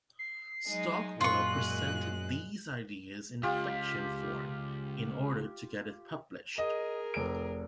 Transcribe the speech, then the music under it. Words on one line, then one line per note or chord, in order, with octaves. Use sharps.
Stockwell presented these ideas in fiction form in order to get it published.
C7
F#3 G#3 D#4
F#2 A#2 G#3 F4 C#6 F#6
C#2 F4 G4
G#4 A#4 D#5
F1 D7